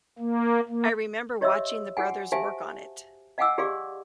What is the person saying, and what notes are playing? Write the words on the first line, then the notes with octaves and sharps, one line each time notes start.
I remember watching the brothers work on it.
A#3
A#3
G4 C#5 D#5 E5 C6 E6
F#4 G#4 F#5 G#5
G4 C5 E5 F5 G#5 A5
D#5 F5 F#5 G#5 D6 E6
G4 G#4 D5 F5 C6 D6